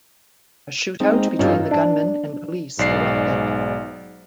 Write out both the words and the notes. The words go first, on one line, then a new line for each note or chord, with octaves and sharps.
A shootout between the gunmen and police erupted.
G#3 C4 D#4
G2 C#4 D#4 F4 A4
D4
B1 G#2 D5 C7